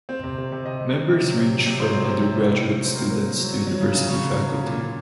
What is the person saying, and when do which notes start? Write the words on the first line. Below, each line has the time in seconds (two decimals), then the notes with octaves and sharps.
Members range from undergraduate students to university faculty.
0.09 C4
0.23 C3
0.38 C3
0.52 C3
0.66 C3 D#5
0.81 C3
0.95 C3
1.09 C3
1.24 F#3
1.38 C3
1.52 C3
1.67 C3
1.80 F#3 C5
1.94 C3
2.09 C3
2.23 C3
2.38 A2
2.53 A2
2.66 A2
2.81 F#3 C5
2.95 A#3 A#4
3.10 A#3
3.24 A#3
3.38 F#3
3.52 F#3
3.67 F#3
3.81 C#3
3.95 C#3
4.09 C#3 C#5
4.23 F#3
4.38 F#3
4.53 C#3
4.66 A#2
4.81 A#2